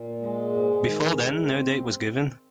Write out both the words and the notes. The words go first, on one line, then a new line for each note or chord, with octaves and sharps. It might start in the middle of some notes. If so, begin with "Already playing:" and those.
Before then no date was given.
Already playing: A#2
G#3
G#2
D#3
G#2
C4